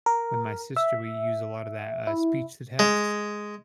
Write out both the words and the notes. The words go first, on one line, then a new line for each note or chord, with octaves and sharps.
With my sister, we use a lot of that, uh, speech to text
A#4
E5
E4
G#3